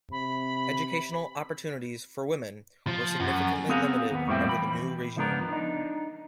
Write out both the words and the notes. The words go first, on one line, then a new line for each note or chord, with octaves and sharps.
Educational opportunities for women were significantly limited under the new regime.
C3 B5
F3
F#2
B3 C4 F#4 G#4 A#4 F5
D#2 B3
F2 A2 G3 C4 E4 G5
E3 B5
C#2 F3 B3 D4 A#4
D4 D#4